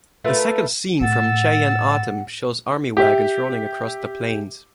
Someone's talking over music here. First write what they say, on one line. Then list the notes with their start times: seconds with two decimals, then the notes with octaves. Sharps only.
The second scene from "Cheyenne Autumn" shows army wagons rolling across the plains.
0.24 A3 F4 A#4 B4
1.01 A2 F#5 E6 A6
2.97 G4 E5